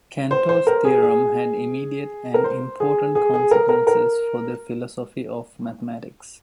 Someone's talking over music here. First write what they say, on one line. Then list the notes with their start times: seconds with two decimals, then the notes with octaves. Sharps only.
Cantor's theorem had immediate and important consequences for the philosophy of mathematics.
0.31 C5
0.49 C5
0.67 A#4
0.85 G#4
1.03 G#4
2.34 A#4
2.44 C5
2.80 G#4
3.15 G#4
3.34 G#4
3.51 A#4
3.69 A#4
3.87 A#4